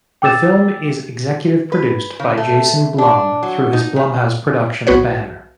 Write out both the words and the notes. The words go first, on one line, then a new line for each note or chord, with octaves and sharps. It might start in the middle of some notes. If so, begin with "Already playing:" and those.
The film is executive produced by Jason Blum through his Blumhouse Productions banner.
G5 D6 E6 A6 E7
B4
C#3
A3
D4
F#3
D#4
C#3
B1 B3 F#4 B4 C#5